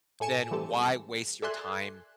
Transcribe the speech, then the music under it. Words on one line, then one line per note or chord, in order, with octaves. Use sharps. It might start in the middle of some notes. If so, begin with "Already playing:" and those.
then why waste your time
A2 A4 G#5 C#7 E7
E3 G3 A3 C4 G4 A4
A4 D5 E5 G#5 C6 F#6